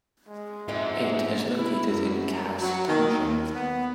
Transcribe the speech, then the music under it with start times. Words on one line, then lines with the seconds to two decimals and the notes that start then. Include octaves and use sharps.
It is located in Cass Township.
0.28 G#3
0.68 F2 G#2 G#3 G#4 E5
1.58 E4
1.89 F#2
2.62 F#3
2.88 D#3
3.19 D#2
3.55 B3